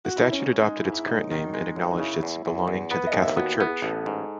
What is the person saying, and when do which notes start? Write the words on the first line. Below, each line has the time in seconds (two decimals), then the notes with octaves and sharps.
The statute adopted its current name and acknowledged its "belonging to the Catholic Church".
0.05 F#4
0.16 G#2 E4
0.32 C#4
0.39 G#2
0.46 C#4
0.61 G#3 D#4
0.77 E4
0.85 G#2
0.92 E4
1.04 E4
1.08 F#2 D#4
1.31 D#3
1.54 G#3
1.76 F#2
1.90 D#4
1.99 C#3 E4
2.23 E2
2.46 E2
2.68 E2
2.91 B3 B4
3.07 D#5
3.13 D#2
3.22 E5
3.37 B3 F#4
3.52 E4
3.60 B3
3.68 G#4
3.82 A1 A4
4.06 G#2